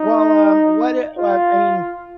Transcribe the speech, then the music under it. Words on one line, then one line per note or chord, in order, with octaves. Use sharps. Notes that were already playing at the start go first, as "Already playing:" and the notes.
Well, um, what eh, what I mean,
Already playing: D#4
F4